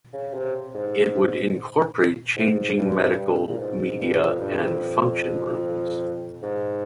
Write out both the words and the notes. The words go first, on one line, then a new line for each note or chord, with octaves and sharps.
It would incorporate changing, medical, media and function rooms.
C#3
C3
G#2
G#2
G2
G2
A#2
G#2
G#2
G2
F2
G2
F2
G#2